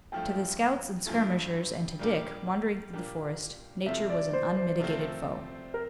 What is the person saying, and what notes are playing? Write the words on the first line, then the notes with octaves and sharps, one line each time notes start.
To the scouts and skirmishers and to Dick, wandering through the forest, nature was an unmitigated foe.
G2 F3 A3 G5
G2 F3 A3
A#2 G3 A#3 D4 G4
A#2 G3 A#3 D4 G4
C3 F3 A3 C4 E5
D5
C5
C5
C3 F3 A3 C4
A#4